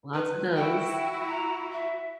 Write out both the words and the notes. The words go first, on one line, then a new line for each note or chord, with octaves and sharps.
Lots of those.
B4
E4 F#4 G5
A#5
E5